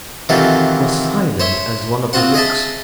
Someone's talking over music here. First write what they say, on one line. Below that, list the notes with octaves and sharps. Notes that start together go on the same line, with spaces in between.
It was silent as one of the ricks.
C3 D#3 E3 F#3 F4 A4
C5 C#5 E5
C4 F4 F#4 C5 F#5
G#4 D#5 E5 A5